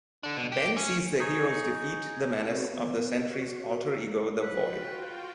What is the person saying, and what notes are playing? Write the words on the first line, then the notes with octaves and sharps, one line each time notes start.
Ben sees the heroes defeat the menace of the Sentry's alter-ego the Void.
D3 D4
B2
G4
C#4
D#4 G#4 C#5
C4 F#4 A4 B4 C#5
B3
F#4 C#5
F4 F#4 B4 G5